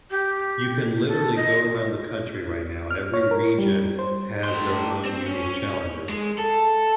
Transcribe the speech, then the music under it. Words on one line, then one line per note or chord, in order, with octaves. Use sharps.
You can literally go around the country right now, and every region has their own unique challenges.
G4
A4
D#5
F6
C#5
A#4
G3
C5
A2 C6
C4
C#4
G#3
A4